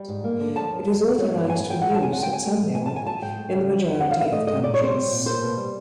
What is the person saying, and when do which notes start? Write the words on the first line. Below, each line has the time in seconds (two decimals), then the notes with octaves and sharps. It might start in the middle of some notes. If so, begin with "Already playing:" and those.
It is authorized for use at some level in the majority of countries.
Already playing: G3
0.09 G#2
0.24 A#3
0.40 D3
0.55 F3 A5
0.71 D#2
0.87 G2
1.02 D#3
1.19 F#3
1.34 G2
1.49 B3 G#5
1.60 G#5
1.65 D#3 G5
1.81 G#3 F#5
1.95 F#2 A5
2.03 G#5
2.12 C4 F#5
2.23 G5
2.28 F#3
2.33 G#5
2.44 A3
2.60 A2
2.75 G#2 G#5
2.86 A5
2.91 D#3
2.96 G#5
3.06 F#3 A5
3.22 G#2 G5
3.38 A3
3.54 C#3
3.69 F#3
3.84 E2
4.00 C4 F#5
4.11 F5
4.17 E3 E5
4.32 A3 D#5
4.47 G#2 D#5
4.63 A#2 D5
4.74 C#5
4.79 G3 C5
4.94 C4
5.11 A#2
5.26 A#3 C5
5.41 B2
5.57 G3